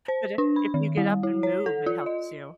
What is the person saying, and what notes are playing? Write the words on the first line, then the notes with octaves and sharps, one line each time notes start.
But if if you get up and move, it helps you.
C5
D4
B5
D#3
G3
E4
C#5
A4
F4
D#5